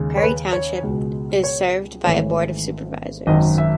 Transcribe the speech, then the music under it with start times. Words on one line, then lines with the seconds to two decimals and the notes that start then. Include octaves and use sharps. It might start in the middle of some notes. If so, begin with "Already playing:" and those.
Perry Township is served by a Board of Supervisors.
Already playing: D#2 C#3 G#3
0.17 C#5
0.22 B4
0.53 C#5
0.83 C#2 B2 G#3
1.44 C#5
2.05 G#1 G#2 E3 A3 C#5
3.27 G#1 F#2 D#3 D#5
3.58 E5